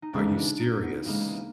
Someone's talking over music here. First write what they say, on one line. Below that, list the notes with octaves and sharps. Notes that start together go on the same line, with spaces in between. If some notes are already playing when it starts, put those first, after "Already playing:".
Are you serious?
D#4
D2 C#3 E3 G#3 D4
D4
D#4
B3
D2 C#3 E3 G#3 A#3